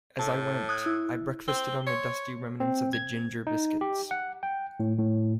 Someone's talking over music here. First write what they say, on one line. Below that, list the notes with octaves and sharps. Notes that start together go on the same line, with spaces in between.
As I went I breakfasted on the dusty remnants of the ginger biscuits.
A2 A5
D#6 F#6 G#6
E4
C4 G7
C#5 C6
C4
G#6
D#4
G4
F#5
G5
A2
A2